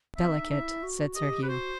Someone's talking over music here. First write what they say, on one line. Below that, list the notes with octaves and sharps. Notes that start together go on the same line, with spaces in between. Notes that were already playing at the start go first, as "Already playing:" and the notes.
"Delicate!" said Sir Hugh.
C4 E5
D#4
E5
E4
F#4
G4 D#5
B4
F#4 C5